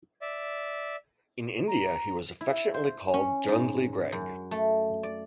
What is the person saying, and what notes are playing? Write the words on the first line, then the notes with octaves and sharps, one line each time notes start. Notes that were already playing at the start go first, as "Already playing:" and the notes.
In India, he was affectionately called "Jungly" Greig.
D5 E5
A#5
E4
C5
C#4
G#2
F#2
A3
D5